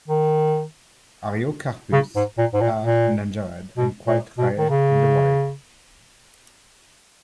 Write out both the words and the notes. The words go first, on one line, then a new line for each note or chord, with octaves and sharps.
"Ariocarpus" are endangered and quite rare in the wild.
D#3
C#3
G#2
A#2
G#2
A#2
A#2
B2
A#2
B2
D#3
C#3